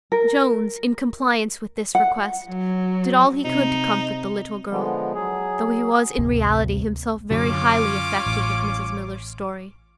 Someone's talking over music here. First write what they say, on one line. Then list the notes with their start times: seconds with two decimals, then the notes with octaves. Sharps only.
Jones, in compliance with this request, did all he could to comfort the little girl, though he was, in reality, himself very highly affected with Mrs Miller's story.
0.12 A#4
1.95 F#5
2.49 F#3
3.44 C3 D#4
4.70 D3 F3 G#3 B3
5.14 F#3 G#4
6.18 A1 D2 C3 A#3
7.31 F#2 D3 F#3 C#4 F4 D6
8.27 A1